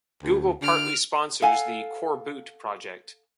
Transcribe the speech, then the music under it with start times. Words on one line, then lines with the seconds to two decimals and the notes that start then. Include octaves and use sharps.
Google partly sponsors the coreboot project.
0.23 D2
0.62 D3 F6 D7
1.42 A4 F5 F#5 G#5